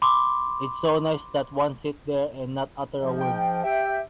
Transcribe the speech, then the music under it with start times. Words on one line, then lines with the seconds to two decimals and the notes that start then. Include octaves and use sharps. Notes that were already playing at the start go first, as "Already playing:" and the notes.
It’s so nice that one sit there and not utter a word.
0.02 B5 C6 D6
3.01 G#2 F3
3.21 G5
3.64 G4 E5 G5